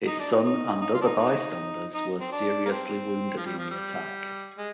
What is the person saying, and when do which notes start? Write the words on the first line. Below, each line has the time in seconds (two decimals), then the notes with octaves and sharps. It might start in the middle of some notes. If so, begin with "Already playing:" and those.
His son and other bystanders were seriously wounded in the attack.
0.07 D#4
0.19 D4
0.31 D#4
0.44 D#4
0.81 D#4
0.94 F4
1.01 D4
1.06 D#4
1.19 D#4
1.94 D#4
2.20 C4
2.32 D4
2.65 A#3
2.70 C4
3.37 F3
3.45 G3
3.58 F3
3.70 G3
4.58 G#3